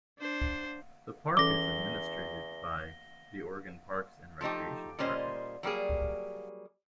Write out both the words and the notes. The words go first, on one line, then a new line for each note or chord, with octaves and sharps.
The park is administered by the Oregon Parks and Recreation Department.
D4 C5
E2 E3 C#4 A4 D6 A#6 G7
F3 A3 D#4 G4
A#2 G3 C#4 C5 D#5
F#3 G3 A#3 G#4